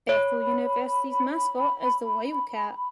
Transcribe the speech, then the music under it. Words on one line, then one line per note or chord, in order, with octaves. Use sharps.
Bethel University's mascot is the Wildcat.
C#5 B5